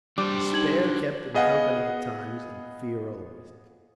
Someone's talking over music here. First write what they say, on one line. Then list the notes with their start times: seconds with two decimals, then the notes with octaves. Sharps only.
Despair kept him company at times, and fear always.
0.18 G3 D4 C5 D6
0.53 D#4 G#6 F#7
1.34 B3 G#4 D#5 F5 F#5